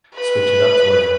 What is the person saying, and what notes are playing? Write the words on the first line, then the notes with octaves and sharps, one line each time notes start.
switch it up for ya.
B4